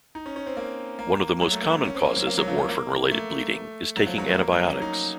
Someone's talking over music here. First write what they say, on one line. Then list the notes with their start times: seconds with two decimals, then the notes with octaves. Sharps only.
One of the most common causes of warfarin-related bleeding is taking antibiotics.
0.15 D#4
0.26 C#4
0.36 C#4
0.46 C4
0.57 A#3
0.99 A#3
1.42 F#3
1.52 A3
1.62 A#3
1.74 A#3
1.84 C#4
1.95 C4
2.05 A#3
2.17 F#3
2.27 A#3
2.38 F#3
2.48 F3
2.58 F#3
2.69 A#3
3.11 A3
3.97 F#3
4.07 F3
4.18 F#3
4.28 A3
4.39 A#3
4.52 F#3
4.67 C#4
4.82 D#4